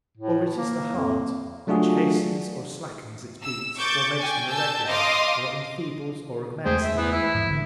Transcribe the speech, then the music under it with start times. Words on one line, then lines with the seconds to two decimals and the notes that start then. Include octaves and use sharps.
Or it is the heart, which hastens or slackens its beats, or makes them irregular, or enfeebles, or augments them.
0.17 A2
0.56 A#3
0.95 F2
1.67 F#3 A3 D4 F4 F#4 G#4
3.43 E6
3.77 C#6 D6 G6 A6
4.19 G5 G#5
4.49 A5 E6 G6
4.87 D#5 F5 C6 D6 D#6
6.65 E2 G#3 A3 G#4 C5 G5
6.83 E5
6.97 E3 B3
7.12 E4
7.34 G#2 E3
7.48 A1 D3